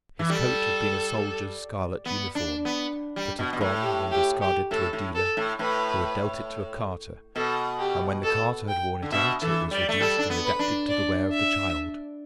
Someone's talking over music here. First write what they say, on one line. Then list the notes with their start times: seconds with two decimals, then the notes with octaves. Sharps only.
His coat had been a soldier's scarlet uniform, that had gone when discarded to a dealer, who had dealt it to a carter, and when the carter had worn it out it was reduced and adapted to the wear of the child.
0.19 E3
0.30 G3 A4
2.06 B3
2.35 D4
2.65 B3
3.16 G3
3.39 B2
3.53 B2
3.61 A2
3.82 G4
4.12 G4
4.42 G4
4.71 A2 A4
4.93 A2
5.15 A4
5.37 A2
5.59 A2 B4
7.36 B2 A4
7.79 G4
8.24 A4
8.68 G5
9.02 D3
9.12 B2 E5
9.42 E3 A4
9.71 G3 D5
9.89 A3
10.00 G3 A4
10.18 D4
10.30 B3
10.45 B4
10.59 D4
10.89 D5
11.33 E5